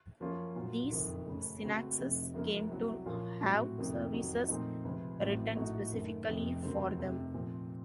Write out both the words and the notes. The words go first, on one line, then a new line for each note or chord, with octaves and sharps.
These synaxes came to have services written specifically for them.
F#2 F3 A#3 C#4 F4
A#2 F#3 A#3 F4
F#1 F2 D#3
F#2 C#3 A3
C#2 C#3 A3 C4 F#4
F1 F2 C3
F#1 F#2 C#3 F3 A#3
C2 C3 F#3
A#2 F3 A#3 C#4 F4
A2 F#3 C4 F#4
F1 F2 C3 D#3 A#3
F2 D#3 F#3
A#2 F3 A3 C4 D#4
C#2 C3 F3 C4
A1 A2 F#3 C4
A#1 A2 A3 D#4 F#4
F#1 F#2 D#3 A3
F1 F2 C3
F1 D#2 C#3 F#3 C4
F1 F2 C3
A#2 F3 C4